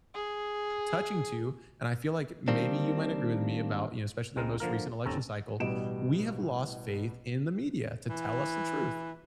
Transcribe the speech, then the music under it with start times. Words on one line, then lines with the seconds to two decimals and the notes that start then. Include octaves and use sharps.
touching to and I feel like maybe you might agree with me about, you know, especially the most recent election cycle, we have lost faith in the media to tell us the truth.
0.15 G#4
2.48 D#3 G3 A#3 C4 D4
4.36 C#2 A#2 G#3 C4 A#4
4.60 D3 F3 A#3 A#4
5.05 G#1 D#2 C4 C#4 A4 A#5
5.60 A1 B2 G3 D#5 D7 E7
8.09 E3